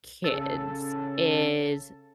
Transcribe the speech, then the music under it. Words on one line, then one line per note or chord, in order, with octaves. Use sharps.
Kids is
C#3 A4